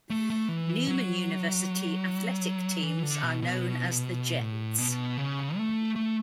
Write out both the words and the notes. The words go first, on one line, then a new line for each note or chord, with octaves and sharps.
Newman University athletic teams are known as the Jets.
A3
A3
E3
F#3
E3
D3
B2
B2
A2
B2
C#3
A3
A3